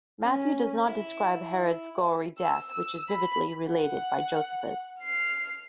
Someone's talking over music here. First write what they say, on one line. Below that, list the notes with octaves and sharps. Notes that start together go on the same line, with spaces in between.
Matthew does not describe Herod's gory death, which is vividly related by Josephus.
C#4
E4
E6
B5
F#5
F6 C7